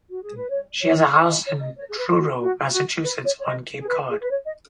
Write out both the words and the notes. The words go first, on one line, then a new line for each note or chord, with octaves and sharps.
She has a house in Truro, Massachusetts on Cape Cod.
F#4
G#4
B4
C#5
C#5
C#5
D#5
C#5
D#5
C#5
G#4
B4
F#4
F#4
F#4
B4
C#5
C#5
D#5
G#4
B4
G#4
B4
C#5
D#5